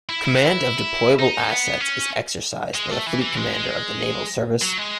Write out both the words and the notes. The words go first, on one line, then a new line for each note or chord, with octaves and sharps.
Command of deployable assets is exercised by the Fleet Commander of the Naval Service.
E4
E4
F#4
E4
D#4
B3
C#4
G#3
A3
E3
E3
G#3
G#3
F#3
G#3